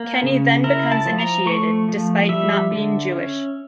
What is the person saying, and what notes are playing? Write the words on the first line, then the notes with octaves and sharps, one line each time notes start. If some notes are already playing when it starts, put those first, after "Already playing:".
Kenny then becomes initiated, despite not being Jewish.
Already playing: A#3
C#3
E4 A#4
A5
F3
A#5
A3 C#6
F3
G3 E5
D3
C#4